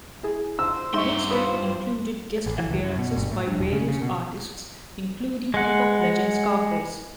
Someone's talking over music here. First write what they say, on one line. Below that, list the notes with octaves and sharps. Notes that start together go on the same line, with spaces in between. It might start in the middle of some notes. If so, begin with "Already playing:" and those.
The mixtape included guest appearances by various artists, including hip-hop legend Scarface.
E4 G#4
C5 E6
G2 D#4 E5 C6 C#6
F4 B4 C5 D#6
A1
E3
C#2
F#2
B2
G1
A2
G2
E1
C#3
C#3
B2
G#3 F#5